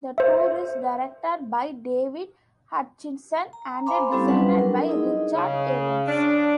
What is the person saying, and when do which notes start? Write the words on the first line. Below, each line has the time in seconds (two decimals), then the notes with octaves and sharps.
The tour is directed by David Hutchinson and designed by Richard Evans.
0.18 C5 E5
3.53 A#5
3.86 C5 F5 G#5 B5 C6 D6
4.12 G3 C4 C#4 E4 G4 A4
4.28 F#3 G3 B4 F#5
4.59 D4 A#4
4.88 D#4 E4 G#4 D#5
5.34 C#3
6.07 D4